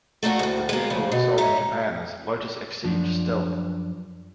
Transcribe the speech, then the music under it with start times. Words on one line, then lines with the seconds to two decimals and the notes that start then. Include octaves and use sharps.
The vehicle was sold in Japan as 'Lotus Exige Stealth'.
0.23 A3 A#3 D4 F#4
0.39 D2 A2
0.69 G#3 A#3
0.90 D2 C#3 F3
1.12 B2
1.38 D#4 C#5 E5
2.84 F#2 F3 D4